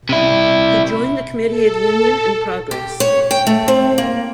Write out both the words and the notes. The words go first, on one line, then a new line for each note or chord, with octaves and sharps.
He joined the Committee of Union and Progress.
C3 E4
A4
G4
C#5
G5
A3
C4
A#3